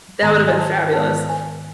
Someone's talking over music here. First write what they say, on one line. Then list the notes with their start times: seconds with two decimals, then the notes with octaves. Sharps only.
That would have been fabulous.
0.22 G#2 D#3 G#3 B3 A#5
0.47 G#5
0.58 A5
0.93 G#2 D#3 G#3 B3 A5
1.29 G#5